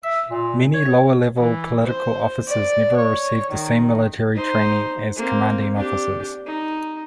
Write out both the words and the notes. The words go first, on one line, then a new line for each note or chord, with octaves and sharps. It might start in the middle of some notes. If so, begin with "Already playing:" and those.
Many lower-level political officers never received the same military training as commanding officers.
E5
A#2
C#5
E3
C5
D5
C#5
D#3
D#4 C5
A#3 C4
D4 G4
D#4